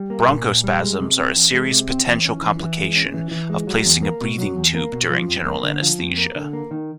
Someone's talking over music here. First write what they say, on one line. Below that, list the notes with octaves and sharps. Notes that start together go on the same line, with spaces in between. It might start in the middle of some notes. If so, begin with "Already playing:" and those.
Bronchospasms are a serious potential complication of placing a breathing tube during general anesthesia.
Already playing: G3
A#3
A#2
A#2
G3
G#3
C3
C4
E3
G#3
C3
C4
E3
C#4
E3
E3
G#3
C#4
E3
E3
G#3
F#3
E2
A#3
B2
F#3
E2
A#3
B2
F3
F2
A#3
D3
F3
F2
A#3
D3
A#3
D#3